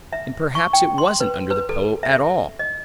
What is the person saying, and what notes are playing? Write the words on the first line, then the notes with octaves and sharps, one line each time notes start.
And perhaps it wasn't under the pillow at all....
E5
C#6
G5
C6
B4
B4
A4
E5
D#5